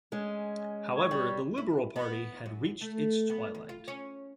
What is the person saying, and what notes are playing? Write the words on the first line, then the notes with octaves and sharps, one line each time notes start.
However, the Liberal Party had reached its twilight.
G#3 C#4
C#5
G3
E4
B3
F#2
A3
B3
E2
F4
C#4